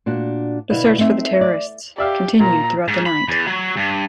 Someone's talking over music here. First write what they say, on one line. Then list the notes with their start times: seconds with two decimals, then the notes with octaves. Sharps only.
The search for the terrorists continued throughout the night.
0.06 A#2 D4 F#4 F#5
0.70 B2 D3 E4 B4 D5 F5
0.98 A3 C4 D#4 E5
1.41 D5
1.98 G4 D5 E5 F5
2.40 A#2 A#5
2.88 G#2
3.06 B5
3.28 E2
3.47 F#3
3.77 G2